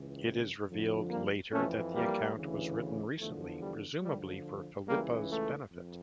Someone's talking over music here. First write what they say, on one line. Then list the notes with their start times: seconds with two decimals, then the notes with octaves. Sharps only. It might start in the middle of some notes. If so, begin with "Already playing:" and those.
It is revealed later that the account was written recently, presumably for Phillipa's benefit.
Already playing: C#2 C#3 E3
0.68 F2 D3 F3
1.10 G3 A#3
1.52 F2 E3 A3 C#4
1.93 G3 A#3
2.36 D2 C#3 E3
3.20 E2 D3 F3 A3
3.61 G3
4.03 D2 D3 F3 G3
4.87 C#2 C#3 E3 G3 A#3
5.30 A3
5.72 F2